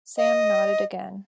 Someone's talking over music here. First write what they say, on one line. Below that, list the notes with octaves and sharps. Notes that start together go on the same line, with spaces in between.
Sam nodded again.
D#5